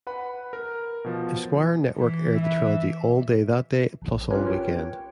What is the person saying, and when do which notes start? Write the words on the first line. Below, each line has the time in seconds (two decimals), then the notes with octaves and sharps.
Esquire Network aired the trilogy all day that day, plus all weekend.
0.07 B4 F#5 B5
0.53 A#4
1.04 B2 F3
1.98 E3
2.33 E5
4.02 A#1
4.31 C#4 F4 G4 A#4 B4 C#5
4.47 C#5 G5